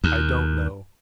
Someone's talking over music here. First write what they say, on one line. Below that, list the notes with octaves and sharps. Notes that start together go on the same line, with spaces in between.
I don't know.
D#2